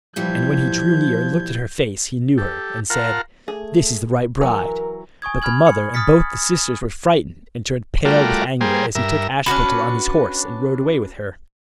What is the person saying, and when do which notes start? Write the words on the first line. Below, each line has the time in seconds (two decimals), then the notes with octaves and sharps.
And when he drew near and looked at her face he knew her, and said, 'This is the right bride.' But the mother and both the sisters were frightened, and turned pale with anger as he took Ashputtel on his horse, and rode away with her.
0.16 A#2 E3 F3 G3 G6 G#6
2.38 G4 A4
2.90 F4 A#4 F5 F#5 A5 A#5
3.48 A3 G#4
4.41 E3 F#3 A#4
5.22 G#5 C#6 D#6 G#6
5.42 G#5 B5 F6 G#6 F#7
5.67 C#7
5.94 D#6 F6 A6 B6 C#7
8.05 G3 A3 F4 F#4 A#4 D5
8.61 G3 A#3 G#4 C5
8.95 G2 A#4 E5
9.46 C#4 D4 F#4 B4